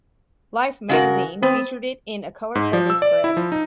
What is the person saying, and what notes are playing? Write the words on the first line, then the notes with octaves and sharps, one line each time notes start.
"Life" magazine featured it in a color photo spread.
C#3 F#4 A#4
B3 C4
G#2
F3
E6
D5
E4
F3
D#4